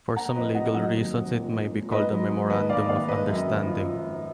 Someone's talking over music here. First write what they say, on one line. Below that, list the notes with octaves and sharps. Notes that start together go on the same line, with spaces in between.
For some legal reasons it may be called a Memorandum of Understanding.
A#3 F#5 A#5
F2 B4 D#5
F1 D#5 F#5
F#3 D#5 F#5
D#2
F1
A#2
G#3
A#2
G#2 B4 D#5
F#3
G#2
D#2 B4 D#5
D#3 D5 F5
D#2 D5 F5
G#3 B4 D#5
F#2
G#1
F4
F3
G#2